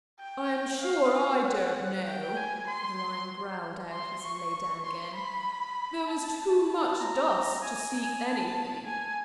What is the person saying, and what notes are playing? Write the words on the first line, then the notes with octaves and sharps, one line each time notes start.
'I'm sure I don't know,' the Lion growled out as he lay down again. 'There was too much dust to see anything.
G5
F5
F#5
G5
G#5
C6
C6
C#6
C6
B5
A5
A5
A#5
G#5
G#5
A5
G#5